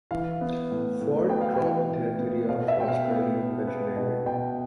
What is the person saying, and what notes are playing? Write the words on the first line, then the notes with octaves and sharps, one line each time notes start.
Ford dropped the Territory after Australian production ended.
E3 F5
B3
A2
A2
B3 G5
F5
G5
E3
A2
B3
B2 F5
E5
B2 G5
F5
B3
B3
B3
B2
B2 G5